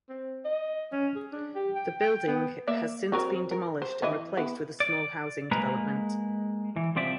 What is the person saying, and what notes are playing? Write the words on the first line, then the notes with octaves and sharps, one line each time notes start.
The building has since been demolished and replaced with a small housing development.
C4
D#5
C#4
G#4
D4
G4
G5
G5
B3
A#3 D5 E5
F#3 C4 A#4
A#4
C5
E3 E4 D#5
B3 E4
D5
G#3 A#3 B4 A#5
E3
C2 F3 C4 D5 E5